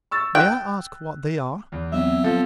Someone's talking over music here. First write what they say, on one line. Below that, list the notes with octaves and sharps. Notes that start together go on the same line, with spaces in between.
May I ask what they are?
C#6 E6 A6
G5 F#6
E2
F#3 B3 C4 E5
F3 A4